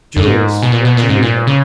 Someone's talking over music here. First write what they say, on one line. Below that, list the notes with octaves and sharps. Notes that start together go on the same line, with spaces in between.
Julius went to meet her.
F#2
G#2
B2
A#2
B2
A#2
G#2
A#2
C#3